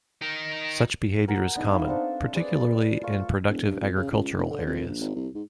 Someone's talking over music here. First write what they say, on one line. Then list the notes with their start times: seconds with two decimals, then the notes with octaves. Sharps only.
Such behaviour is common, particularly in productive agricultural areas.
0.21 D#4 A#4
1.28 A#4 F#5 G#5 A#5
1.55 B3 D4 D#4 G#4
1.72 D#4 E5 F5
1.88 C4 D4 A4
2.35 G#4 B4 D5
3.02 A3 F4 C#6 E6
3.49 E1
3.66 G2
3.81 F2
3.96 C#3
4.11 C#2
4.37 E1
4.50 D3
4.66 F2
4.88 A#1
5.00 G#1
5.15 C2
5.35 G#2